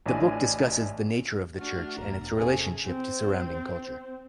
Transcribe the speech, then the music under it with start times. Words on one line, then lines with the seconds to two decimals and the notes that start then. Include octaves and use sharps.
The book discusses the nature of the church and its relationship to surrounding culture.
0.06 A1 D4 E4 D5 G#5 D#7
1.58 A3 D4 F#4 F6
1.98 E1 A#5
2.37 C3 C#4 G#4 A4
2.86 C4